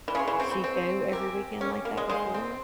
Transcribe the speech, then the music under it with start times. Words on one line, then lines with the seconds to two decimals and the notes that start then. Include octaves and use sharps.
she go every weekend like that before?
0.08 E3
0.15 C#3 G#4 C#5 F5 C6
0.27 E3
0.40 C4
0.51 C4
0.64 C4
1.12 G4 A#4 E5 G#5
1.61 C#4
1.85 A#3
1.97 G#3
2.09 G#3 C5 F5 C6
2.34 C4